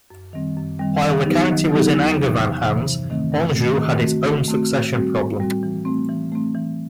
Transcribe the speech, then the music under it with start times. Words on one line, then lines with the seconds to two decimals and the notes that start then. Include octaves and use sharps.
While the county was in Angevin hands, Anjou had its own succession problem.
0.11 F#2
0.33 D#3 G3 C4
0.57 F#2
0.79 D#3 G3 C4
1.03 D#3
1.26 F#3 B3 D#4 G4
1.49 D#3
1.72 F#3 B3 D#4 G4
1.94 E2
2.17 C3
2.23 E3
2.40 E2
2.64 C3 E3
2.87 G2
3.10 D#3 A3 C4
3.33 G2
3.56 D#3 A3 C4
3.79 D#3
4.01 A3 C4 F#4
4.24 D#3
4.48 A3 C4 F#4
4.71 A2
4.94 G3 C4 F#4
5.16 A2
5.40 G3 C4 F#4
5.63 E3
5.85 A3 C4
6.09 E3
6.32 A3 C4
6.55 E3